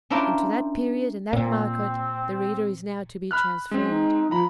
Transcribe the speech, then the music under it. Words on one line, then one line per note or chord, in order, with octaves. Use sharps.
And to that period and that market the reader is now to be transferred.
C#4 D4 E4 F4 A#4 G5
A#2 C4
B5 F6 F#6
G#3 C4 C#4
D#4
F3 A#5 B5